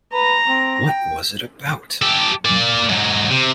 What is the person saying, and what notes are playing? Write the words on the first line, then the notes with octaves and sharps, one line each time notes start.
What was it about?
B4 A#5
C4
G5
G4 A4
A#3 D5
G#2 F#3
C3